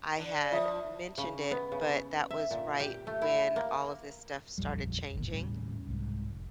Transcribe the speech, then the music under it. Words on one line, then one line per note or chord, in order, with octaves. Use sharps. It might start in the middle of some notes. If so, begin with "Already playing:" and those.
I had mentioned it, but that was right when all of this stuff started changing
D3
F3 F4 E5
C#3
B3
C#3
E5
A#2
G4
A3
E4
A#3
D#1 A#1 F2 G3
D1 G#1 D#2 B2
D#2 A2 C#3 G3
C2 G#2
F1